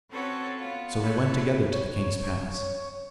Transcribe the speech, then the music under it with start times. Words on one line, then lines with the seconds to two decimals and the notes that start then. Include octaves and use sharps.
So they went together to the king's palace.
0.10 C4 C#4 F#4 A4 B4 C#5
0.58 B3 F4 F#4
1.01 A4 B4 C#5 B5
1.72 C#5